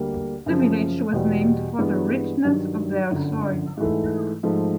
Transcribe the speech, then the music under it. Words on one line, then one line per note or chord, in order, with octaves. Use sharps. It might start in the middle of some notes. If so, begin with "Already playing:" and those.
The village was named for the richness of their soil.
Already playing: D2 D3 G3 A#3
F#2 C#3 F3
E2 B2 G3
G2 E3 G#3 B3
G2 D#3 F#3
G1 F#2 D3
G#2 E3 A3
G#2 F3 A3